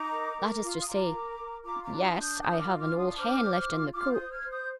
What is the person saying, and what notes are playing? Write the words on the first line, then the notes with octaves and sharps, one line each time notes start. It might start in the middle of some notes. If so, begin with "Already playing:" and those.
That is to say--yes--I have an old hen left in the coop.
Already playing: D#4 A#5 D6
A#4
A#4
F4
D#6
F4 A#5 D6
A#4
A#4
F4 A#5 D6
A#5 D6
D4
C6 D#6
D4
D#6 G6
A#4 D#6 G6
D6 F6
F4
D6 F6
D4
C6 D#6
C5 D6 F6
C5
F4
F4 D6 F6
D#6 G6
C5
F6 G#6
C5
D#6 G6